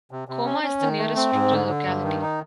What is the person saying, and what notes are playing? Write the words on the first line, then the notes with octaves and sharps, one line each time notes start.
Koma is the nearest rural locality.
C3
C3
C#4
C#4
D#3
A3
C4
G#2
D3
D3
G2
D#3
D#4